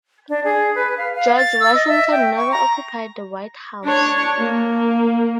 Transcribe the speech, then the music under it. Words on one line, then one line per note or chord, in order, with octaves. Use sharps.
George Washington never occupied the White House.
D4
G#4
B4
F5
F5
A6
E6
D#5
E5
G5
C#6
A#5
D4 C#5
A#3